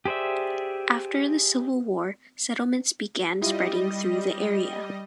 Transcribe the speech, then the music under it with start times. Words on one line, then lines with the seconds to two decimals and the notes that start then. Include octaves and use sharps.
After the Civil War, settlements began spreading through the area.
0.05 G4 G#4 C5 D5 E5
3.42 G3 E4 F4 G4 D#5